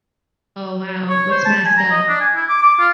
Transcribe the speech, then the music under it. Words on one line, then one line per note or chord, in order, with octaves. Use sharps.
Oh, wow. Let's mask up.
C#5
C5
A5
G#5
A#5
D#5
D4
G#5
E4
D6
D6
F4